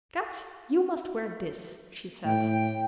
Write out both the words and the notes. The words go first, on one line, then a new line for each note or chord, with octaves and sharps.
"Kat, you must wear this," she said.
A2 G5